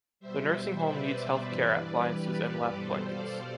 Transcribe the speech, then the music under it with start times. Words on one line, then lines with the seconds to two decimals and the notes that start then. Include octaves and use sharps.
The nursing home needs health care appliances and lap blankets.
0.20 B2 G3 C5 E5
0.83 B4 D5
1.15 C5 E5
1.46 G2 E3 G3 B4 D5
2.10 G4 B4
2.75 B2 G3 A4 C5
3.06 D5 F5